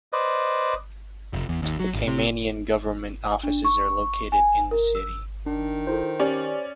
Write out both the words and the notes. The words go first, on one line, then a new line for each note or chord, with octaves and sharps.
The Caymanian government offices are located in the city.
B4 C5 D5 D#5
F1
E2
D#2
F#3
G#1
C3
D4
C#6
G#5
A#4
E6
D#3 D4
E4 F4 A4 C5
C#4 G4 D5